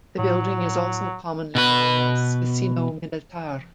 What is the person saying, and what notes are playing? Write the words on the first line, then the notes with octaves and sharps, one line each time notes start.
The building is also commonly known as "Casino Militar".
A2 F#3
B2 B4